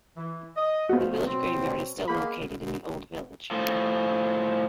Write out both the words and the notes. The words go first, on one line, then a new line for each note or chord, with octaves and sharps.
The village graveyard is still located in the old village.
E3
D#5
G#2 F3 A3 B3 F#4
B2 F#3 C4
G#3 A#3 B3 B5
A2 F3